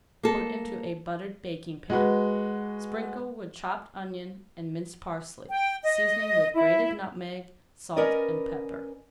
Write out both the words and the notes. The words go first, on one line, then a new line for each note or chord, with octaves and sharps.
Put into a buttered baking-pan, sprinkle with chopped onion and minced parsley, seasoning with grated nutmeg, salt, and pepper.
A#3 A4
G#3 F#4 B4
G5
D#5
E4
C#4 A#4 B4 D5 D#5